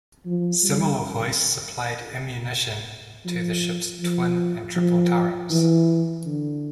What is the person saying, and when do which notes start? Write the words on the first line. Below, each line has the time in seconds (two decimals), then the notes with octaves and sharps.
Similar hoists supplied ammunition to the ships' twin and triple turrets.
0.26 F3
0.64 G3
3.25 F3
4.00 F3
4.76 F3
5.50 E3
6.25 D3